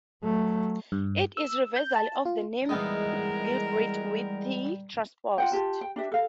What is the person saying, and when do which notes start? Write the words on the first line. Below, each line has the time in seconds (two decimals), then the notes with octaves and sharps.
It is a reversal of the name "Gilbreth", with 'th' transposed.
0.23 F#3 A3
0.92 G2
1.37 E6
1.76 G6
1.96 A5
2.25 F4
2.69 E2 G3 G#3 B3 D#4 A#4
5.38 F4 F#5 G5
5.52 F4 G4 A5
5.81 G5
5.96 D4 G4 E5
6.12 A4 F5